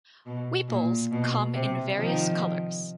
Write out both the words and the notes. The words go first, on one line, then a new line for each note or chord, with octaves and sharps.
Weepuls come in various colors.
B2
A#2
B2
C3
D#3 F3